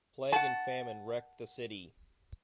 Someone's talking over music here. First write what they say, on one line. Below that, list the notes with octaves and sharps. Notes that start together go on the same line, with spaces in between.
Plague and famine recked the city.
F#5 A5